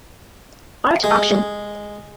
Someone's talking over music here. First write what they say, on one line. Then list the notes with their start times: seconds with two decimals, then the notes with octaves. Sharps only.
Art Auction.
1.04 G#3